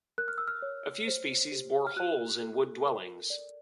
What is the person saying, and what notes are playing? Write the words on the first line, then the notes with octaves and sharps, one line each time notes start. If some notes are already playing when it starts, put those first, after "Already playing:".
A few species bore holes in wood dwellings.
A#4 F#6
F6
E6
F6
C#5
C5
G4
F6
F#4 F#6
A4
A#4
D5